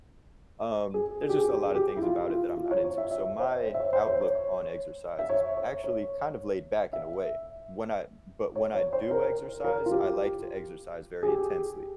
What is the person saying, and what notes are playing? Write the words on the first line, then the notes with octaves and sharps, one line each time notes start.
Um, there's just a lot of things about it that I'm not into. So, my outlook on exercise is actually kind of laid back in a way. When I but when I do exercise, I like to exercise very intensely. B
G#4
G#4
G4
G#4
G4
G#4
G4
E4
F4
F4
F4
C#5
C#5
E5
E5
C5
C5
E5
C#5
C5
C#5
C#5
E5
C#5
C#5
C#5
E5
C#5
C#5
C5
A#4
A#4
F4
G4
G#4
G4